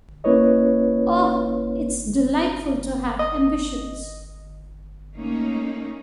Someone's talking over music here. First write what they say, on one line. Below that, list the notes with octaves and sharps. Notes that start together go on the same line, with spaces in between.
Oh, it’s delightful to have ambitions.
A#3 C#4 E4 B4 C#5 D#5
D#5
A3 A#3 C#4 D#4